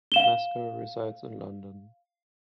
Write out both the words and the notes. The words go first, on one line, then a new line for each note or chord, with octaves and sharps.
Mescal resides in London.
F5 E7 G7